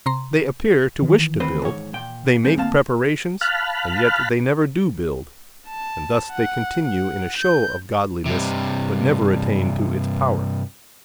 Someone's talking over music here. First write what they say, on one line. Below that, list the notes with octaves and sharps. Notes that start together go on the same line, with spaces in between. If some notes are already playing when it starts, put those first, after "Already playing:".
They appear to wish to build, they make preparations, and yet they never do build; and thus they continue in a show of godliness, but never attain to its power.
C3 A#5 C6
D#3 E3
D2 C4 B4
G#2 C#5
A#2 G5
A#2 G#3 C4
D2 A#3 C4 F5 A5
F5 A5 B5 F6 F#6
A5
F#5
F#5
G6
G2 C3